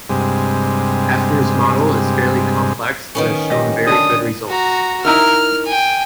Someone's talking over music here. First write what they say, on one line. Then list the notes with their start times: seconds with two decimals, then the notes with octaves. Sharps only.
Hefner's model is fairly complex that has shown very good results.
0.10 G2 C3 G#3
3.15 D#3 B3 C#4
3.50 G4 D#5
3.87 D3 A4 D#6
4.48 F#4 A#5
5.05 D#4 E4 A#4 F6
5.66 G5 G#5